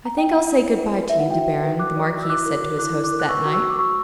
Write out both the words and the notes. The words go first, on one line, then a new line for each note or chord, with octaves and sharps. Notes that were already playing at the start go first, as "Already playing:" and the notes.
"I think I'll say good-bye to you, De Baron," the Marquis said to his host, that night.
A#5
G5
E4 F#5
E4
E4
B4
B4
E4 E5
F#5
F#4 E5 G5
F#4
B4
F#4 D6 F#6
D5
F#4
E6
E4 D6 F#6
A#4
A#4
E4 D6 F#6
E4
D6 F#6
A#4
F#6
B4 C#6 E6
F#4
C#6 E6
F#4
D6
F#4 C#6 E6